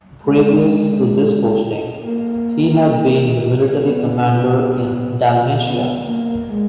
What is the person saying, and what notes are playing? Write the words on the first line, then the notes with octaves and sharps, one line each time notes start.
Previous to this posting, he had been the military commander in Dalmatia.
G#3
A#3
B3
B3
A#3
G#3